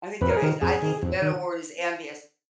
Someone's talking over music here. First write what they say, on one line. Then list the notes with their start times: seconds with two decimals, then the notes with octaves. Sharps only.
I think there is I think the better word is envious.
0.21 F2 B4
0.29 A#4
0.37 G#4
0.42 D#3 A#4
0.62 F2 G#4
0.82 D#3
1.02 F2
1.22 D#3